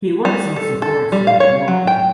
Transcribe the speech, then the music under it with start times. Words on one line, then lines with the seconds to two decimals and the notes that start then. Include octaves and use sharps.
He was also Forester of Woking.
0.25 G3
0.56 A4
0.82 A4
1.12 G3
1.27 F5
1.40 C#5
1.68 F#3
1.87 G5